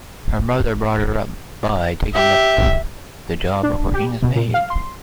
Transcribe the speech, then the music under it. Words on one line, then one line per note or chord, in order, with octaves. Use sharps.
Her mother brought her up by taking up the job of working as maid.
G4 E5
D4
G4
B2
A#2
F5
C6